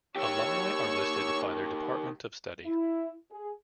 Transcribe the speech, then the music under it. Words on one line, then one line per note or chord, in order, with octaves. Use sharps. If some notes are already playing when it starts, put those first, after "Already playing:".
Alumni are listed by their department of study.
D#3 G4 C#5 C#6 E6
E4
G#4